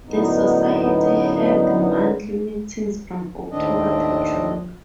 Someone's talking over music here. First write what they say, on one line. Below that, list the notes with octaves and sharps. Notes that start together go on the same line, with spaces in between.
The society held monthly meetings from October to June.
F#2 A2 D3 F#3 B3 D#4
D#2 A2 D#3 C4 D4 D#5